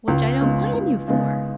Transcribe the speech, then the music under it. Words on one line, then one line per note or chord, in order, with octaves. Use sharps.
'Which I don't blame you for.
C#2
C#3 G#3 B3
C#2
C#3 G#3 B3